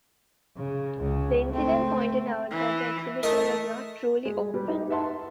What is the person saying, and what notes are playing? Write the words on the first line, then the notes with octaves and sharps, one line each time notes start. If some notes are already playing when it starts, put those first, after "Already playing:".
The incident pointed out that the exhibition was not truly "open".
C#3
C#2 C#3
A3 C4
E3
A3 A#4 D#5
G#3
G3 B4
D#4 E4 G4
B4 E5 F#5 A5 C6